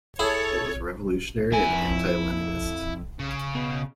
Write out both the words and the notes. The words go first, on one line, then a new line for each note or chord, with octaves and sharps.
It was revolutionary and anti-Leninist.
E4 G#4 A4 C#5
F2 E4 G#5
C#3
B2